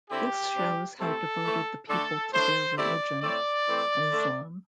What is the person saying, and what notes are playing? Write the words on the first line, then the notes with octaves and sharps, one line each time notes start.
This shows how devoted the people to their religion, Islam.
D3 C4 E4 G4
C3 G3 D4
C3 A3 C4 E4 A4
E3 A3 E4
D3 A3 D4 A4
A2 A3 D4 C5
C3 A3 C4 E4 D5
A2 A3 C4 D5
E3 A3 C4
D3 A3 D4